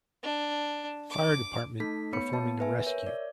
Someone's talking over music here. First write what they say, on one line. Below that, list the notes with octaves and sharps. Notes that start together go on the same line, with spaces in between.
Fire department performing a rescue.
D4
D6
A3 D#4 A4 B6
B3 C#5 B5 C#7
A#3 B3 A5
B4 E5 G#5
A#4 C#5 E5
D5